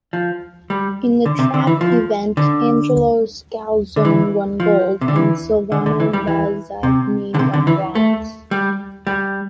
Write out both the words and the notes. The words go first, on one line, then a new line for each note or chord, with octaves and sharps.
In the trap event, Angelo Scalzone won gold and Silvano Basagni won bronze.
F3
G3
D3
C3
D3
E3
F3
D3
D3
E3
F3
C3
D3
E3
D3
D3
E3
G3
E3
C3
D3
C3
D3
E3
A3
G3
G3